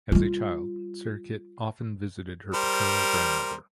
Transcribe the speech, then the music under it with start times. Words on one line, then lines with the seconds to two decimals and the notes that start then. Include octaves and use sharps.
As a child, Sirikit often visited her paternal grandmother.
0.12 G3 F4
2.54 G3 A#4 C5